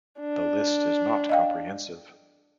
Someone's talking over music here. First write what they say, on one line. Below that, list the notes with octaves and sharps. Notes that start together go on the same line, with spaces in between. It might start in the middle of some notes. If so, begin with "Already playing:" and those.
The list is not comprehensive.
D4
D#5 F5 G5